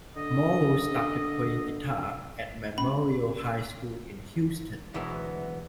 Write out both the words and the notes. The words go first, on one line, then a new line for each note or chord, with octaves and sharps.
Morrow started playing guitar at Memorial High School in Houston.
D3 D#5
C#4 B5
D2 B2 E3 F#3 G#3 B3